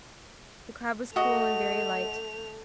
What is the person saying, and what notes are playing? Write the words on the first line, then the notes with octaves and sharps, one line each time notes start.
The crab was cool and very light.
A3 F#4 D#5 F7